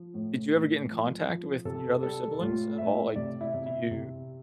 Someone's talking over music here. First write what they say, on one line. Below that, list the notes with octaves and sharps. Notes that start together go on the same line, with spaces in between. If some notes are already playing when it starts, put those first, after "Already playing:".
did you ever get in contact with your other siblings at all? Like, d do you
Already playing: F3
A2
A2
F3
F3
C3 A4
G3 A4
A2 F4
A2 E5
C3 D5
E4
C3
E4
C3